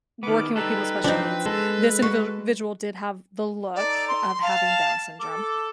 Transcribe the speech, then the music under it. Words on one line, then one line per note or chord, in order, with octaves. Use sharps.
working with people with special needs, this individual did have the look of having Down syndrome
D#3 B3 D6
G3 D#4 A4 B4
F3 C4 D4 D#4
G#3 A4
F#4
D#4 A4 D5
C6
F5 A5
A4 D6